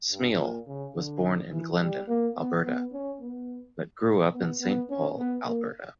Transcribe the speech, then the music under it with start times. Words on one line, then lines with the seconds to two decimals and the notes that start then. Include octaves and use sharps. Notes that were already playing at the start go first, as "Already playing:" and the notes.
Smyl was born in Glendon, Alberta, but grew up in Saint Paul, Alberta.
0.10 G2
0.38 A#2
0.67 C#3
0.95 D3
1.52 E3
1.80 G3
2.08 A#3
2.36 B3
2.64 B3
2.92 C#4
3.21 B3
4.33 B3
4.62 B3
4.89 C#4
5.18 B3
5.46 A#3